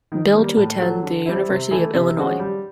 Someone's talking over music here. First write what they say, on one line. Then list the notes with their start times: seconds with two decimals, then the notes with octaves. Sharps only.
Bill to attend the University of Illinois.
0.12 D#3
0.35 G3 A#3
0.57 A2
0.80 F#3 A3
1.03 D3
1.26 G3 C4 E4
1.49 C3
1.71 E3 A3
1.94 C3
2.17 F3 G#3 C#4 F#4
2.39 G3